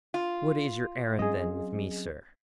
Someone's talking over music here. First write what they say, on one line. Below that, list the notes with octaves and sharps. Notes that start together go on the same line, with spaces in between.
"What is your errand, then, with me, sir?"
F4
F#3 C4 C#4 G#4 D#5